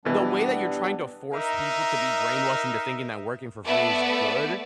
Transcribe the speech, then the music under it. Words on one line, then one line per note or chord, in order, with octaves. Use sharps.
the way that you're trying to force people to be brainwashed into thinking that working for free is good,
B2 E3 G3 B3 D4
D#4 A#4 E5
A3 B3 B4 D5 E5 F#5